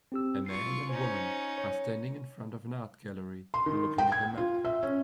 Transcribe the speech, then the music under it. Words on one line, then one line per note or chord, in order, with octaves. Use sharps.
A man and woman are standing in front of an art gallery, looking at a map.
C4 G4 E6
F4 C#6 C7
C#4 D#4 C5
C#5
C6
D#3
G5
G#6
F4
E5
C#4